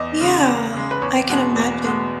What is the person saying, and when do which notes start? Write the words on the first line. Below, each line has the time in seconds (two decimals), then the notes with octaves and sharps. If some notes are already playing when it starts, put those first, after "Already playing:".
Yeah, I can imagine.
Already playing: E2 D#5
0.20 C#3 G#3
0.48 E2
0.74 C#3 G#3
0.91 B4
1.02 E2 C#5
1.29 B2 G#3 B3
1.56 E2
1.83 B2 G#3 B3